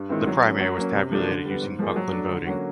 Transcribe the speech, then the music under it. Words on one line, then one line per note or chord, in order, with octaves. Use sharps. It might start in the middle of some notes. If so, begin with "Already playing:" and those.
The primary was tabulated using Bucklin voting.
Already playing: G2
D#3 G#3 C4 E4
F#3
A#3 C#4
F#3
A#3 C#4
C3
F3 A3 D4
D3
G3 B3
G#2
F3 A#3 D#4 G#4
F#3
A3 D4
D3
F#3 A#3 C#4 F#4